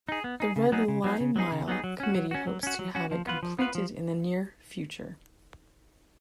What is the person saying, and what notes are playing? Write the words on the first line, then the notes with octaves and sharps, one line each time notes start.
The Red Lion Mile committee hopes to have it completed in the near future.
D#4 G#4
B3
D#4 G#4
C#3
F#3 B3 D#4 G#4
C#3
F#3 B3 D#4 G#4
C#3
F#3 B3 D#4 G#4
C#3
F#3 B3 D#4 G#4
F#3
C#4 F#4
F#3
C#4 F#4
F#3
C#4 F#4
F#3
C#4 F#4
F3
B3 F4 B4
F3
B3 F4 B4
F3